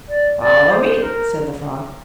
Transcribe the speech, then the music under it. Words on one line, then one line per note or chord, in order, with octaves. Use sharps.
"Follow me," said the frog.
D5
D5
C5
A#4